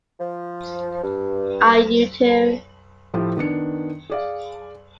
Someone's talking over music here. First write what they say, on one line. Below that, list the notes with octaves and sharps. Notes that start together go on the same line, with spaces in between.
Are you two?
F3
G2
A2 F3 A3 E4 G4
D#3 B3 D4 C#7
G#4 D5 F5